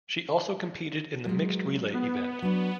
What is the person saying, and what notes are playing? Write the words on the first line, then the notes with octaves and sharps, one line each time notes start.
She also competed in the mixed relay event.
F#3 G#3
B3
F#3 D4